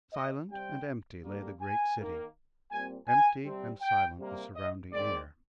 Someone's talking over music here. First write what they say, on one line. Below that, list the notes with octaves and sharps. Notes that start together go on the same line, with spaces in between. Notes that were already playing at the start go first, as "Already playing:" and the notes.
Silent and empty lay the great city--empty and silent the surrounding air.
D#5
C3 G3 C4 G5
D3 G3 A#3
G#5
D#3 A#3
A#2 G3 C4 G#5
G#5
C3 G3 C4
G5
C3 G3 A#3
D#5
D#3 G#3 C4 D5